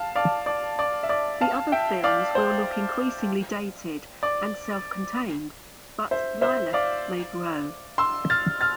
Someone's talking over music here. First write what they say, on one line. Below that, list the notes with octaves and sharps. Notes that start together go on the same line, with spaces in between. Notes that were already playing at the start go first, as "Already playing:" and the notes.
The other films will look increasingly dated and self-contained, but "Lilith" may grow.
Already playing: F5 A5
D5 F5
D5
D5
E5
D5
F5 A5
E5 G5
D5 F5
C5
D5
C5 E5
C5 E5
D5 F5
C6 E6
F6 A6
F6 A6